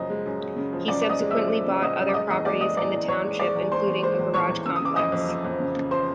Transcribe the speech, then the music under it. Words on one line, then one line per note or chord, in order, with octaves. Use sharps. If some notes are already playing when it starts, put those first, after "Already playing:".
He subsequently bought other properties in the township, including a garage complex.
Already playing: F#2 C#3 F3 D#5
G#3
F#2
F#2
C#3
F3
F#2 D5 D6
D6
F3 D#5 D#6
G#3
E5 E6
F3
G#3
C#3
C#3 D#5 D#6
F#2
D6
G#3 D#5 D#6
E2 D#5 D#6
G#3 D5 D6
G#3 D#5 D#6
E2 D5 D6
E2
E2 C#5 C#6
G#3
G#3 D5 D6
E2
G#3 C5 C6
E2
G#3 C5 C6
E2
E2 C#5 C#6
E2
C#3 E6
D#6
C#3 D6
F2 D#5 D#6
F2
F3
F2
C#3
C#3
F3 C5 C6